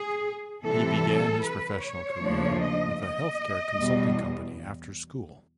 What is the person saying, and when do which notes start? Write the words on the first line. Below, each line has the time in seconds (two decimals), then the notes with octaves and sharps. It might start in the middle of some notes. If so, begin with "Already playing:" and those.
He began his professional career with a health-care consulting company after school.
Already playing: G#4
0.65 C3 E3 G3 A4
1.44 B4
1.83 C#5
2.22 D#2 C#3 F3 A3 D4
2.62 D#5
3.00 D#5
3.78 E2 B2 G3